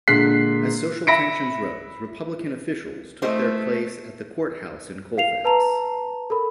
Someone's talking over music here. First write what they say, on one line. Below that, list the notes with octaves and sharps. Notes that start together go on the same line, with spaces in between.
As social tensions rose, Republican officials took their places at the courthouse in Colfax.
A#2 D3 G#3 F#6 B6 C7
E5 B5 A#6 B6 C#7 D7
A3 E4 C5 D#5
F5 C7 F7
B4 A5 A#5 F7
A4 A#4 B5